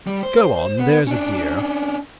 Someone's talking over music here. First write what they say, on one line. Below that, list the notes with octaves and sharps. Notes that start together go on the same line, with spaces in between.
Go on, there's a dear.
G3
C5
B3
C#4 D4